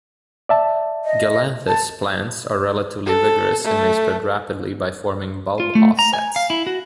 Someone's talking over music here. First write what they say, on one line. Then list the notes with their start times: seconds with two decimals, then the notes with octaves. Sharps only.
"Galanthus" plants are relatively vigorous and may spread rapidly by forming bulb offsets.
0.49 D5 E5 A5
1.05 D#5
1.68 A5
3.06 A4
3.64 A3
5.60 F4
5.75 A3
5.99 A#5
6.14 G#5
6.36 F5
6.50 E4
6.67 F#4